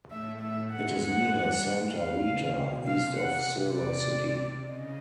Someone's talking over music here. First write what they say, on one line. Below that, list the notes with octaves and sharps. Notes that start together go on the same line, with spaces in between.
It is near Santa Rita, east of Silver City.
A2 A3 E5
A2 A3 E5
G#2 G#3 F#5
G#2 G#3 F#5
G2 G3
F5
C#3
B2
C3 F5
C3 F#5
C3
D5
C#3 D#5